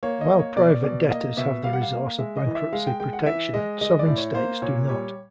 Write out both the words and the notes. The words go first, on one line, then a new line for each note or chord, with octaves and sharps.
While private debtors have the resource of bankruptcy protection, sovereign states do not.
A#3 C#5
D#5
A#3
C#5
B2 D5
B2 D5
A#3 D#5
B2 E5
G3 F5
F#5
F5
A#3
G#3 E5
D#5
E3
E5
G#3 F5
G5
G#3 G5
F#5
E3 E5
G#3 D#5
G#3 D#5
D5
A2
C#5
A#3 C5
A#2 C#5
G3 C#5